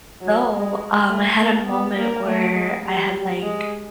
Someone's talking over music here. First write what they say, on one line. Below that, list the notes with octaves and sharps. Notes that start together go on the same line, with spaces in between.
so, um, I had a moment where I had, like
F#3
G#3
A3
A#3
B3
A#3
A3
G#3
G3
G#3